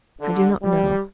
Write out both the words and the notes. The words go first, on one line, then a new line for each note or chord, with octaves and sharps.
I do not know.
D3
G3